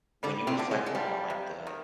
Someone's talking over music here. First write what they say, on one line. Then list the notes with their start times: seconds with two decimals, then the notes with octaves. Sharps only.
when you reflect on, like, the,
0.23 D3 G3 D4
0.47 C3 C4
0.59 D3
0.71 G#3
0.86 G#3
0.95 F3 G3
1.30 C3
1.67 D#3